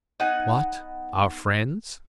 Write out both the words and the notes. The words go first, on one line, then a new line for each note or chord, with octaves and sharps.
"What! our friends?"
B3 D#4 F#5 G#5